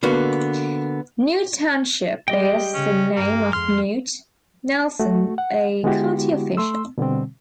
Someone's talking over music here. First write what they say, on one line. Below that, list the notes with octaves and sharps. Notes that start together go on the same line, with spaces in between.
Knute Township bears the name of Knute Nelson, a county official.
D3 A#3 B3 F#4
G3 G#3 G4 D#5 G5
C#3 C#4
G2 A#3
F2 G#3 C6 F6
A3 F#4
F#5
D3 G#3 B3 E4 F#4 G4
A3 C6 E6
B2 D3 G3 C4